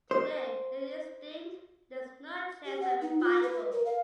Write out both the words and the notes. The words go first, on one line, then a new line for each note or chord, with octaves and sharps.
Today they are extinct and there is no chance of revival.
C5
G4
F#5
D#4
F4
B4
A#4
F5